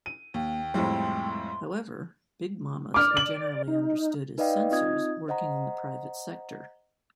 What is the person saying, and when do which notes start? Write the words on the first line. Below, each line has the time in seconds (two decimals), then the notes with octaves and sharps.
However, big mamas are generally understood as censors working in the private sector.
0.06 D#7
0.34 D#2 A#3 G5
0.74 F2 A2 G3 G#3 E4 C6
2.94 D5 D6 F6
3.17 F#7
3.68 D#4
4.38 D#4 B4 D5 D#5 F5 G5
4.71 C4 D#4 F4 D#5 D#6 G#6
5.28 C5 D#5 F#5 A#5